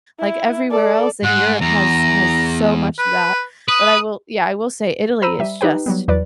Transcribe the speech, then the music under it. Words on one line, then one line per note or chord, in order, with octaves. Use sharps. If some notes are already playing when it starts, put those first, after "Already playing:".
like, everywhere else, and Europe has has so much of that. But I will yeah, I will say Italy is just
E4
A4 D5
G#2 F#5
E2 A#5
B4
B4 D#6
C5 A#5 B5 E6 D#7
G3 E5
D#4 G4 B4 G5
F#3 G3 B3
E2 F#3 B4 D5